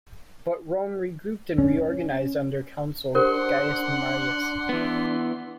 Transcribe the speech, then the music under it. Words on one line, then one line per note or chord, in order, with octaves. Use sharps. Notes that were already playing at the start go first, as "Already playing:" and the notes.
But Rome regrouped and reorganized under Consul Gaius Marius.
C#4
D4 G4 A#4 C5 F#5 C6
E3 B3